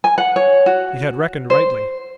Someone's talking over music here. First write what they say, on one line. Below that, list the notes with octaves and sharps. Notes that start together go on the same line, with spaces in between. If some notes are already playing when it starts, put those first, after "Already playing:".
He had reckoned rightly.
G#5
F#5
C#5
F#4
C5